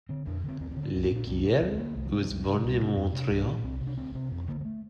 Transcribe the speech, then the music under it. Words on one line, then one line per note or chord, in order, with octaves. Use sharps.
L’Ecuyer was born in Montreal.
D3 C4
F2 D4
D3 C4
D#2 C4
C4
D3
D4
C2 C4
C4
A#2 D4
C2 C4
C3 D4
D2 C4
D3 A#3
C2 A3
F3
C3 G3
C2
C3
C2 G3
C3
D4
F2 C4
C3 D4
C2
A#2
C2 C4
C3
D4
D2 C4
C3 C4
F2 C4
D3 A#3
A#3
A3